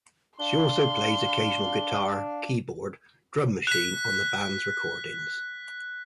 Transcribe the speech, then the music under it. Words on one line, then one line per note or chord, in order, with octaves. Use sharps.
She also plays occasional guitar, keyboard, drum machine on the band's recordings.
D4 F5 C6 G7
F#6 B6